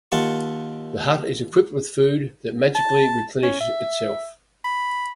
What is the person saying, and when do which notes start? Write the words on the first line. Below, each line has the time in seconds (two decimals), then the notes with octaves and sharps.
The hut is equipped with food that magically replenishes itself.
0.12 D#2 F4 F#5 A5 C#6
2.75 A5
3.43 C#4
3.60 E5
4.64 B5